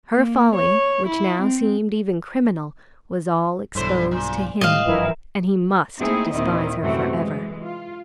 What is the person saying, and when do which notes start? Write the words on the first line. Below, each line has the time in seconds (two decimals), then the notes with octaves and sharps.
Her folly, which now seemed even criminal, was all exposed to him, and he must despise her forever.
0.13 A#3
0.55 C#5
1.07 E4
1.42 C4
3.75 B1 G2 D3 E3 C5
4.11 A#2
4.61 A2 D#3 G3 G#3 C4 D#5 F5
4.85 G#1 G2 E3 F3 E4 A#4
6.00 A3 A#3 C4 D#4 E4 G#4
6.34 D#2 A#2 D#3 C4 E4 D#5
6.82 F#2 C3 E3 A3 C4 F#4
7.13 E3 G#3
7.63 F4